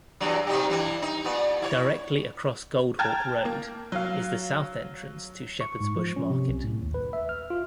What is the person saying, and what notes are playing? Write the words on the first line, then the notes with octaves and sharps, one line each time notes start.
Directly across Goldhawk road is the south entrance to Shepherds Bush Market.
E2 G2 F#3
C3 D#4 G4
G2 E3 E4
D#4
A#2 B3
E4 F#4 C#5
G5 A5 A#5 F6 G#6 A6
A#3
F#3 F5
C#6
G#2
F3
C#4
C3
B1
A2
D#2
B4
E5
F6
F4